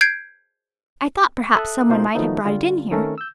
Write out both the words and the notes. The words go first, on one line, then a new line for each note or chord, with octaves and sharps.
I thought perhaps some one might have brought it in here.
G6 G#6 C7 D7
A4 E5 D#6 F#6
B2 A3 A#3 D#4 F4 C5
D#3 F3 F#3 A3 B3 D#4
D3 G3 F4
D#3 A3 C4 C#4 A4 A#4
E6 G6